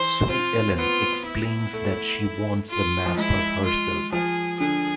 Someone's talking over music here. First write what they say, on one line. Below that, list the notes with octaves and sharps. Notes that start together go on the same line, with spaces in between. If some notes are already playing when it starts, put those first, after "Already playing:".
Sue Ellen explains that she wants the map for herself.
Already playing: E3 C5
C4 F4
C4
B3 F4
E4
A3
F4
F3
G#3 E4
F4
F3 G#4
D3 G#4